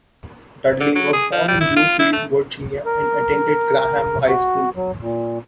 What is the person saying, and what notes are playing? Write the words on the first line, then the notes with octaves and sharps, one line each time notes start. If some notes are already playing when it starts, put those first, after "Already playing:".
Dudley was born in Bluefield, Virginia and attended Graham High School.
D3
F#3
G#4
F3
G3
E4
F4
E4
A3
A#4
F#4
F#3
A#2